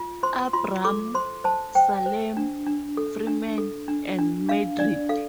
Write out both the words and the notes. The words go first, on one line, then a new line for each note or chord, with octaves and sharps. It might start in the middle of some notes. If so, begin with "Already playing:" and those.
Abram, Salem, Freeman, and Madrid.
Already playing: F4
C5 C6
F4 C6
A4 D6
C5 C6
C5 A5
C5 G5
C5
D4
D4
A4
D4
A4
D4
D4
D4 F5
D4 D5
A4 F5